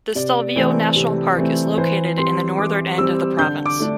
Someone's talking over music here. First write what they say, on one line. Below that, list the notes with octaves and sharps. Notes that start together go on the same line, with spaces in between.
The Stelvio National Park is located in the northern end of the province.
C3 D5
E3 A3 C4
C3
E3 A3 C4
E3 C5
G3 C4 C6
E3 D6
G3 C4 E6
D3 G6
D6
A3 D4